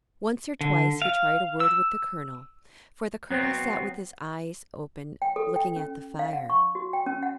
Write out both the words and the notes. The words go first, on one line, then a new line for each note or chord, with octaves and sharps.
Once or twice he tried a word with the colonel, for the colonel sat with his eyes open looking at the fire.
D3
F5
E6
F#3 B3 C4
G5
A4
G5
C#4
F5
F#5
C#6
F#4
G5
C#4
F#5